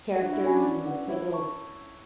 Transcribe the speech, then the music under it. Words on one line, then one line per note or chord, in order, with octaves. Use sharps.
characters and put little
D4 F#4
E4
C#4 F#4 C#5 G#5 B5
D4
D4 E4
B4 D5 F#5
E4 C#5
E5 A5 C#6